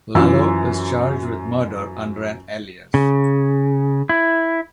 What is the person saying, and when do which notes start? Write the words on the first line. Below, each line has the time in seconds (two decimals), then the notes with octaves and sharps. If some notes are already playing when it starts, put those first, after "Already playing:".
Lalo is charged with murder under an alias.
0.15 F#2 E3 F3 E6
2.94 C#3
4.09 E4